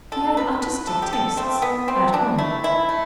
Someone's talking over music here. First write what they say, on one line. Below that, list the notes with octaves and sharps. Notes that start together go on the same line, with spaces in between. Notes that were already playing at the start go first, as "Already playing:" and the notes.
He had artistic tastes--at home.
D3 A4
F3 A3 B4
D3 B4
F3 A3 A4
G4
D3 A4
F3 A3 C4
E3 B3
A3 C4
E3 D4
A3 E4
E3 E4
A3